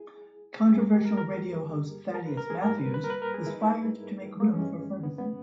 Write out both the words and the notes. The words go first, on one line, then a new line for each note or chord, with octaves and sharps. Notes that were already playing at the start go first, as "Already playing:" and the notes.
Controversial radio host Thaddeus Matthews was fired to make room for Ferguson.
Already playing: E4 G#4
G2 G3 A#3 G#4
A#4
G4
A#4
A#4
A#4
B4
A#4
G#4
G#2 G3 A#3 A#4
B4
B4
A#4
B4
A#4
G#4
E4
D#4
E4
A#3
B3
G2 E3 G#3 C#4
B3
B3